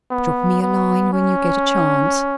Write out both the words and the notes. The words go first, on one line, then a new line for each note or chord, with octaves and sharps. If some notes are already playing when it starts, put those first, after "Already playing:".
"Drop me a line when you get a chance."
B3
B3
C#4